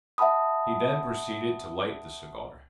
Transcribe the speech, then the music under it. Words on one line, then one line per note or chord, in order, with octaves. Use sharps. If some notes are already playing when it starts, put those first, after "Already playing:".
He then proceeded to light the cigar.
E5 F#5 A5 B5 D#6